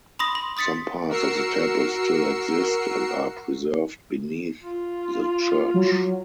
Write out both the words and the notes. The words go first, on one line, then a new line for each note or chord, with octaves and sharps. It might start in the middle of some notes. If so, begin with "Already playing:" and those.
Some parts of the temple still exist and are preserved beneath the church.
B5 C6 D#6 A#6
C6
C6 D#6 A6 B6 C#7
F#4 A#4 E6 C7 C#7
F4
F#3